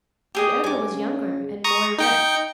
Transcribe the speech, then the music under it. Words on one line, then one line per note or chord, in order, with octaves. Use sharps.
The other was younger and more erect.
G4 G#4 D#5
G2 G#5 D6
C#3
A#5 C#6 D#6
D#4 G5 C#7